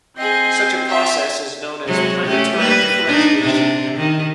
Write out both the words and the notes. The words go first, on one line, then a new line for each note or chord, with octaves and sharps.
Such a process is known as planetary differentiation.
C4 G#4 D#5 G6 C7
F4 E5 G5 A5
C3 F#3 G#3
A3 C#4 G4
G3 A#3 B4
D4 D#4
C3 D4
D#3